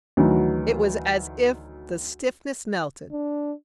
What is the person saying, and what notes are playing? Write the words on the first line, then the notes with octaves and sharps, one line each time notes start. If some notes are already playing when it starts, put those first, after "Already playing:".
It was as if the stiffness melted.
D2 D#3 E3 F#3
D4